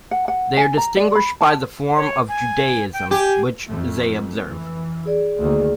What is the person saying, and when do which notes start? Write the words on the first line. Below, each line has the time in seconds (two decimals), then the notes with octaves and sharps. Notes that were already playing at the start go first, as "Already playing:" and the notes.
They are distinguished by the form of Judaism which they observe.
0.11 F#5
0.28 F#5
0.57 G#5
0.77 A#5
0.97 D5
1.15 B5
1.41 A5
1.96 C#5
2.29 G#5
2.93 G5
3.11 G4 G#5
3.67 F2 A3
4.47 E3
5.06 G#4 D5
5.39 D2 D#3 A#3